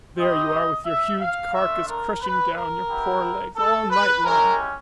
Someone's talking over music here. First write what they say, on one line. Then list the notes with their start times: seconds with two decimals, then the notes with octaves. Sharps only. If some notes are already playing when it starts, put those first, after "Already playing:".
There you are with your huge carcass crushing down your poor legs all night long.
0.18 C4 E4 G4 D#5
0.86 E5
1.20 F5
1.54 A3 D4 F4 E5
1.88 A#4
2.21 B4
2.55 A#4
2.88 B3 E4 G4
3.56 A4
3.90 B4
4.24 G#3 C#4 E4 G4 A#4